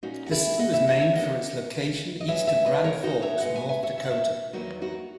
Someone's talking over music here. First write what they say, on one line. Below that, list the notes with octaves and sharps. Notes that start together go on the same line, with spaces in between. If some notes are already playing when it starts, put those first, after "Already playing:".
The city was named for its location east of Grand Forks, North Dakota.
A#2 A#3 C#4 D#4 F#4
F#4
E4 G#4
D#5 F#5
C#5 E5
D#5 F#5
C#5 E5
B2 A#3 C#4 D#5 F#5
D#5
B2 G#3 C#4 C#5 E5
C#5 E5
B4 D#5
A#4 C#5
D#4 F#4
C#5 E5
B2 G#3 B3 D#5 F#5
E5 G#5
E5 G#5
C#5 E5
E5
F#5
C#5 E5
E2 D#3 F#3 A#3 D#4 F#4
D#4 F#4